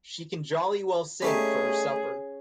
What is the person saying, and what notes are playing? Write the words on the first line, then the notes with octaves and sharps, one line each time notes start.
She can jolly well sing for her supper!
G3 A3 C#4 D#4 G#4